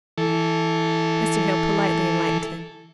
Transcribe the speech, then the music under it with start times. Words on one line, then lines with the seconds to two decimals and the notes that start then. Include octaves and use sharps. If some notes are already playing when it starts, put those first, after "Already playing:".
Mr. Hale politely enlightened him.
0.18 E3 A4